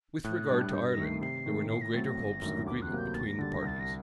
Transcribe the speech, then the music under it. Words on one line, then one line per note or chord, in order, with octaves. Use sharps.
With regard to Ireland, there were no greater hopes of agreement between the parties.
A2 F#6
G3 D4 G4
G2 G6
A#6
D#3 A3
C7
C3 C7
D#3 A3
A2 C7
A#6
F#3 A3 C4 A6
A#6
G1
F#2 D#3 A3 D4
D2 D6
F#6
C3 F#3 A#3
G6
D#2 A6
A#6
D3 G3 A6
A#6
C2
A6
A#6